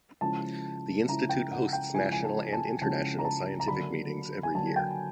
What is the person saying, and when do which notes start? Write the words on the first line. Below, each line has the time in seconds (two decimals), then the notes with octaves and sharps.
The Institute hosts national and international scientific meetings every year.
0.21 C#3 F3 G#3 C#4 E4 A5
1.08 C#3 F3 G#3 C#4 E4 A#5
1.29 G5
1.52 F#5
1.73 G5
1.94 C#3 F3 G#3 C#4 E4 G#5
2.12 G#5
2.24 A5
2.52 A5
2.82 C#3 F3 G#3 C#4 E4 A5
3.19 A#5
3.25 A5
3.60 A#5
3.68 D3 F#3 A#3 B5
4.43 G#5
4.55 D3 F#3 A#3 A5
4.76 G5